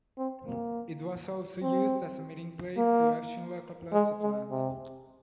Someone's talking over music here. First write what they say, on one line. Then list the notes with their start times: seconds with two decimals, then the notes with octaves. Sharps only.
It was also used as a meeting place to auction local plots of land.
0.18 C4
0.47 A#3
1.62 C4
2.77 A#3
3.93 G#3
4.22 G#3
4.50 C3